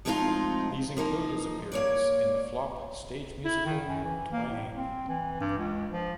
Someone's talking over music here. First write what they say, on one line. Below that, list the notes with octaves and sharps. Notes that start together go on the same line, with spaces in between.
These included his appearance in the flop stage musical Twang!
F3 G#3 A3 C4 D#4 F4
F3 A#3 D#4
A#3 C#5 D5
E4
D#3
F#2
E3
A#3
A2
C4
E3
G2
C#2
F3